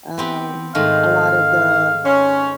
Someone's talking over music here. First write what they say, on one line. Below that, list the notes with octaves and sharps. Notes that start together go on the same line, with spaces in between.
Um, a lot of the
B3 C4 G4
G#2 D#3 A3 F5
C#4 C5